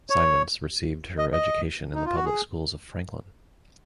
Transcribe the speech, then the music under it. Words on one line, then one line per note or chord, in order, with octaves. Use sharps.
Simonds received her education in the public schools of Franklin.
C#5
D#5
D#5
D#4
F4
F#4
G#4